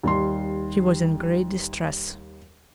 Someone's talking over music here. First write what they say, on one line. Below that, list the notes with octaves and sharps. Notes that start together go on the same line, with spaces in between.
She was in great distress.
D#2 G3 C6